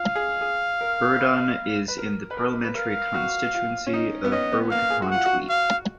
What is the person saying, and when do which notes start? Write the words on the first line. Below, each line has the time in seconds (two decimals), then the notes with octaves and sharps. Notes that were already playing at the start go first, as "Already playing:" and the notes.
Burradon is in the parliamentary constituency of Berwick-upon-Tweed.
Already playing: F4 F5
0.16 G#4
0.41 G#4
0.81 A#4
1.19 B4
1.88 B4
1.98 A#4
2.31 B4
2.37 A#4
2.64 B4
2.75 A#4 F5
3.14 F#4
3.55 F4
3.87 C#4
3.94 D#4
4.24 B3
4.32 C#4 D#5
4.52 B3
4.71 A#3 F5
4.90 G#4
5.02 F#4
5.11 F4 F#5
5.26 F#4
5.50 F5